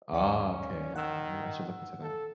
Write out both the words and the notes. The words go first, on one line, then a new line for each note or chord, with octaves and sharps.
Ah, okay, okay, I r I should look into that.
D#2 C#4 D5 C#6
C#4
D#3 F#5 E6
A4